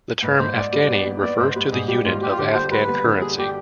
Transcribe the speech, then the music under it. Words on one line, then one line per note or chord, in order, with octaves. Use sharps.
The term "Afghani" refers to the unit of Afghan currency.
G#2 B4
G#2 C5
G#2 D5
G3 D5
B3
B3
B3 D5
G#2 C5
G3 B4
G#2 G#4
G3 G4
G#2 F4
G3 G4
F4
D3 G4
G3 C5
G3 B4
B3
D3
G3 G#4
G3 G4